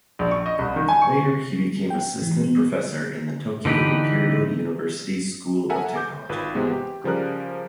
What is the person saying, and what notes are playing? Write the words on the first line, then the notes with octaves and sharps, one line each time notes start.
Later he became assistant professor in the Tokyo Imperial University School of Technology.
A#1
C#6
D#5
C2
D#3
G#5
C#6
G5
E3
B3
D3 E3 D#4 G4 B4
A4 A#4 E5 F#5 G#5 A#5
D6 G6
G#1 F4 B4
C3 E3 G#3 B3
G4
C#3 F3 G3 A#4 F#6